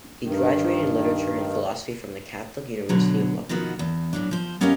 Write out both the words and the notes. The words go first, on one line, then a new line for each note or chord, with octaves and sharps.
He graduated in literature and philosophy from the Catholic University of Lublin.
G2 D#3
B2 D3 F#3
B2 D#3 F3 B3 F#4
E2
A2 F#3 D4
F3 C5
B3 C#4 G4 A#4 D#5 F5